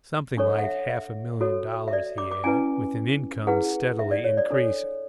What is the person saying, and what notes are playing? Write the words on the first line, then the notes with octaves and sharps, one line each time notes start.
Something like half a million dollars he had, with an income steadily increasing.
D4 A4 C#5 C#6
F#5
E5
E5
F#4 A4 C#5
E5
D5
D6
D6
C#4 E4 B4 G#5
E4 G#4 B4 F#5
E5
D5
C#5
D5
D4 A4 C#5